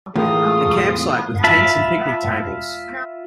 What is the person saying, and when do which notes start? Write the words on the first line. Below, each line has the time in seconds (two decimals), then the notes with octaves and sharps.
A campsite with tents and picnic tables.
0.15 A2 E3 F4 G#4 A#4 D#6
1.44 F4 E5 A5 B5